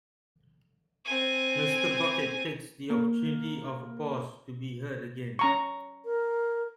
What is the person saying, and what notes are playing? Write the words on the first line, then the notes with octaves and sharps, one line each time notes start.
Mr. Bucket takes the opportunity of a pause to be heard again.
C4 G#5
A#3
C#4 A#5 C#6
A#4